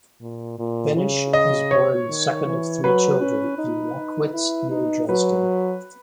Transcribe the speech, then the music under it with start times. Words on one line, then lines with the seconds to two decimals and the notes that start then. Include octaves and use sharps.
Behnisch was born the second of three children, in Lockwitz near Dresden.
0.21 A#2
0.59 A#2
0.96 C#3
1.33 D#5
1.71 C#5
2.09 D#3
2.46 E3
2.84 F#3 B4
3.21 C#4
3.58 D#4
3.96 D#4
4.34 E4
4.71 D#4
5.09 F#3 B4